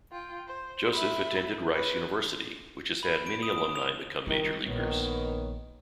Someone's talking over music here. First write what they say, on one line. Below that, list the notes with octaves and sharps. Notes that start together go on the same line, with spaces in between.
Joseph attended Rice University, which has had many alumni become Major Leaguers.
F4 G5
C5
E5 B5
B4
B5
D7
D#6
D#6
F7
D#3 G3 E4
A#1 D#3 B3 C#5